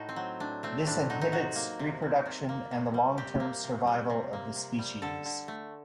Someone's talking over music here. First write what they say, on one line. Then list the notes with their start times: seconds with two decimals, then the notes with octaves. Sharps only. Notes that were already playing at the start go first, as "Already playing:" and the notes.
This inhibits reproduction and the long-term survival of the species.
Already playing: A2 A3 D#4 F#4
0.09 C4
0.16 F#3
0.40 A2 D4
0.63 A3 C4
0.86 A2 D4
1.10 F#3 D#4
1.21 D#4
1.32 C3 F#4
1.55 A#3
1.79 C3
2.02 G3
2.26 C3
2.49 A#3
2.71 C3
2.94 G3
3.17 C3 G4
3.40 A#3
3.64 C3
3.87 G3
4.10 C3
4.33 A#3
4.56 C3
4.79 G3
5.02 D3 A4
5.25 D3
5.48 A3